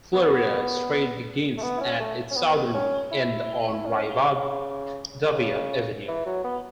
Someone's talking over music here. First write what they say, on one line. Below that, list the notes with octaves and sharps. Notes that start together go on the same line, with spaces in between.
Florida Street begins at its southern end on Rivadavia Avenue.
B3
A3
B3
E4
C#4
A3
C#4
B3
C#4
E4
E4
C#4
C#3
C#3
C#3
E3
F#3
B3